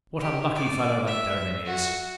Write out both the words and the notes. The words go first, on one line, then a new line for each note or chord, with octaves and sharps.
What a lucky fellow that Derebin is!
G4
D5
E5
F#4